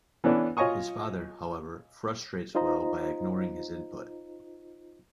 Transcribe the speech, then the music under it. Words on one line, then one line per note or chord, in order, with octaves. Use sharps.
His father, however, frustrates Will by ignoring his input.
E3 B3 C#4 D4 A4
F4 C#5 D#5 G#5 C#6 D#6
D#4 F4 C5 D#5 A#5